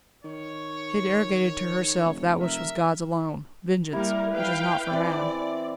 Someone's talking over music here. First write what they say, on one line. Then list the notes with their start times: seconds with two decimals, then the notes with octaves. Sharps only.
She had arrogated to herself that which was God's alone--"Vengeance!" which is not for man.
0.24 D#3 C#5
2.06 F1
2.41 A#4 E5
3.93 G3 A#3 E4 A#4
4.32 B4 F5 G5
4.91 E3 C4 D5